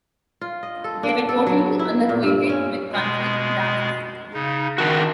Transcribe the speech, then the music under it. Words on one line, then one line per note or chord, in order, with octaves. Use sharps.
They were totally unacquainted with country dances.
F4
D#5
A4
D4
A4
F#3
E4
A#2
G2
C#4
B2 G#3
C#3 D#4
D#3 D4 F#4